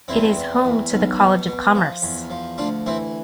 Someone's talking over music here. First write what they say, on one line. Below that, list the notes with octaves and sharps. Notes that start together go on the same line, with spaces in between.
It is home to the College of Commerce.
E2 C4 E4
E2
E2
B1
B2
B2
F3
E2
F3
D2 D4 F4
E3 C4 E4